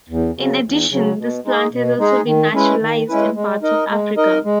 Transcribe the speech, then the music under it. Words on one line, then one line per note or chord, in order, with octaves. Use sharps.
In addition, this plant has also been naturalized in parts of Africa.
E2
C#3 F#3
E2
C#3 F#3
B2
G#3 D#4 G#4
B2
G#3 D#4 G#4
D#3
G#3 C#4 E4 B4
D#3
G#3 C#4 E4 B4
G#3
D#4 A#4 D#5
G#3
D#4 A#4 D#5
G#3